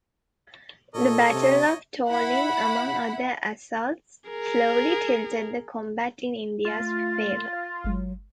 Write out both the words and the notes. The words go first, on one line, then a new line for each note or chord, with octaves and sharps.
The Battle of Tololing, among other assaults, slowly tilted the combat in India's favour.
A#2 A4 C#5 D#5
C3
E4 F#5 B5
G#4 A#4
A3 F4 A6
G1 F#3 G#3